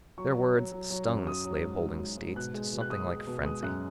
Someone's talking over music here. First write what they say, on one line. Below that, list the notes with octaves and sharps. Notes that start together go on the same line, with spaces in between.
Their words stung the slave-holding States to something like frenzy.
F#3 C#6
F#3
F#3
F#3
F#3
F#2
F#3 D#6
F#3
G#2
G#2
F#3
G#2
B2 F#6
G#3
B2
F#6
G#3 D#6
G#3
B2
G#3 D#6
F#2 F#6